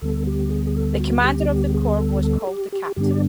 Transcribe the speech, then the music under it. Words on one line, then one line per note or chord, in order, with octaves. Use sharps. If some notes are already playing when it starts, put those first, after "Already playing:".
The commander of the corps was called the Captain.
D2 D3 G3 B3 A4
G4
G#4
G#4
A4
F#4
G#4
G4
G4
G#4
A4
A4
G4
G4
G2 D3 G3 B3 D4 G4
D5